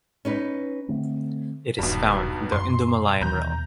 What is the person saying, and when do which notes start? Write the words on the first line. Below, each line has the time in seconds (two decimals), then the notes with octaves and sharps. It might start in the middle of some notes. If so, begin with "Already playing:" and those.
It is found in the Indomalayan realm.
0.25 C#4 D#4 B4
0.88 D3 A3 C4
1.79 D#1 B1 G2
2.52 F#2 B2 C6
3.21 D#2 B2 E3 A#5 G6